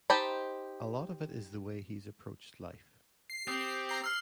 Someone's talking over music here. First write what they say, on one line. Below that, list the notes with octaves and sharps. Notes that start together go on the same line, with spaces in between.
A lot of it is the way he's approached life.
D#4 G4 C5 A5 B5
C7
C4 G4 D#6 F7
A#5 C7
E6 F6 C7